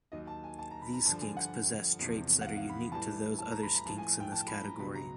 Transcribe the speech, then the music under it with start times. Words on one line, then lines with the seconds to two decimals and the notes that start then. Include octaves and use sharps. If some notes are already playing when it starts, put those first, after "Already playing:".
These skinks possess traits that are unique to those other skinks in this category.
0.12 D#2 D#3 F#3 D#5
0.27 A5
0.44 G#5
0.59 A5
0.71 A#5
0.82 B5
0.93 A#5
1.05 G2 D3 F3 A5
1.21 G#5
1.37 F#5
1.99 E2 C3 F3
2.41 F#5
2.45 F5
2.57 F5
2.69 B5
2.92 A2 E3 G3 A5
3.39 A5
3.51 A#5
3.63 B5
3.75 A#5
3.86 A2 F3 A5
3.98 G#5
4.20 G5
4.32 A5
4.48 B5
4.64 A#5
4.79 C#2 B2 F#3 B5
4.95 A#5